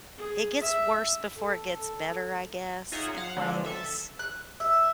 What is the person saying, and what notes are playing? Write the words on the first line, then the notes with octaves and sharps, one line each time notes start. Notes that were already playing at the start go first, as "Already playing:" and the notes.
It gets worse before it gets better, I guess, in ways.
G#4
E5
A4
D#4 F4 G#4 C#5 E5 F#5
F5 F#5
D3 E3 F3 G#3 C4 D4
A4 E5
F#6
E5